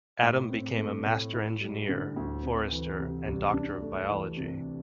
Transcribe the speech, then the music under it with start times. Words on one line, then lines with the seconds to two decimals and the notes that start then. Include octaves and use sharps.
Adam became a Master Engineer, forester and Doctor of Biology.
0.23 A2
0.50 C4
0.78 A3
1.06 A2
1.33 E4
1.61 G3
1.89 D3
2.16 D2
2.43 C4
2.71 E3
2.98 C3
3.27 C2
3.54 D4
3.82 A3
4.09 E3
4.37 C3